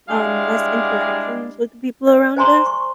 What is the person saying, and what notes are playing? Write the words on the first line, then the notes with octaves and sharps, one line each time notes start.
um, less interactions with the people around us.
G3 G#3 D4 E4 G#4 F5
D5
C5 D5 G#5 A#5 C6
C#6